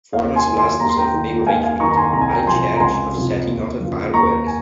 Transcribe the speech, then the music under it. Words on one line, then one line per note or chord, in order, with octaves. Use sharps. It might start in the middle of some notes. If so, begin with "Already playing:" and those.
Forman's Blasters,of New Richmond, are in charge of setting off the fireworks.
D#2 C#5 F5
G#5 C6
D#3
G#5 C6
D#2 A#5
C6
G5 A#5
D#3
G5
D#2 F5 G#5
F5 G#5
D#3 A#5 C#6
A#5
G#5 C6
C2 A#5
G#5
G5 A#5
C3 F3 G#5 C6
A#5
C#2 G#5 C6
C3 F3
D#2
C#3 F3
D#2 A#5 C#6
G#5